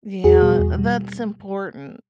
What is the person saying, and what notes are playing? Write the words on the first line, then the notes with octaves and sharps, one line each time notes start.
Yeah. That's important.
E2 F#4 G#4
B2 G3
E2
B2 G3